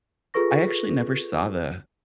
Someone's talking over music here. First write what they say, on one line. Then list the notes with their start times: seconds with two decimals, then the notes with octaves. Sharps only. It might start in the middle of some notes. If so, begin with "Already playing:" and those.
I actually never saw the
0.34 F4 G#4 A4 B4 C#6 A#6